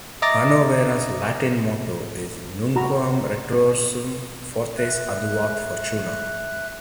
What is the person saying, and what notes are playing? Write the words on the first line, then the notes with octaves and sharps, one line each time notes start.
Hannovera's Latin motto is Nunquam retrorsum, fortes adiuvat fortuna!
D#5 E5 A#5 D6 A6 A#6
F#4 A#5 B5
E5 F#6